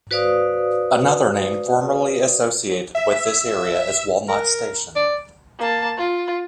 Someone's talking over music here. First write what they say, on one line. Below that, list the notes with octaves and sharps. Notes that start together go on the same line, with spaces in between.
Another name formerly associated with the area is "Walnut Station".
F#4 B4 C5 D5 F5 D#6
E5
A#4
D5
A#3 A5
F4